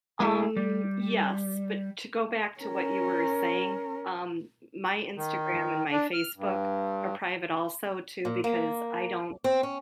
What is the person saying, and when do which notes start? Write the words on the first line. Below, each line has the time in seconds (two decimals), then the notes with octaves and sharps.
Um, yes, but to go back to what you were saying, um, my Instagram and my Facebook are private also too, because I don't
0.20 G#3 E4 F#4 G#4
0.57 G3
2.60 C#4 A#4
5.16 D#3
5.92 D4
6.14 F6
6.36 G2
8.25 A#2
8.44 A#3
9.44 C4
9.63 C#4